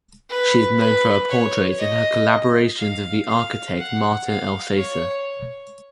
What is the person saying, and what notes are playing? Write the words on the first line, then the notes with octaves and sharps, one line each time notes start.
She is known for her portraits and her collaborations with the architect Martin Elsaesser.
B4
B4
C#5
D#5
F5
F5
F#5
F5
C#5